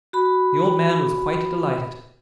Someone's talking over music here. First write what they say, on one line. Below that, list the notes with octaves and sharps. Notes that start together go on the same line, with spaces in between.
The old man was quite delighted.
F#4 B5